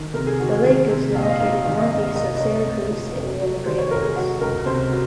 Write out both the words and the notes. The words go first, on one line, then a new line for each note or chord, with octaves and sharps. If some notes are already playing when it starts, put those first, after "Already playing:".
The lake is located northeast of Syracuse and near the Great Lakes.
Already playing: D#3
C3 A#4
G#4
D#3 F#4
G#4
D#3 G#4
C3
A#1 F5
D#5
F5
G#2 F5
D#3 F5
D#5
G#2 D#5
F5
C2 D#5
D#5
C2 C#5
C2
F3
F1
F#3
D#3 C5
C#5
F1 A#4
G#4
F#3 F#4
C#2 A#4
C3 C5
F#3